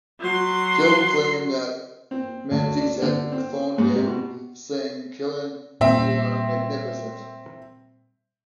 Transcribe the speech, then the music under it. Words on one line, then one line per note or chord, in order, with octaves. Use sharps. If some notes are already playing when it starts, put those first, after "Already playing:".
Killen claimed that Menzies had phoned him, saying Killen, you are magnificent!
F#3 C6
C4
D2
D4
D3
C4
G#2
C3
B2
A#2 G3 C4 E5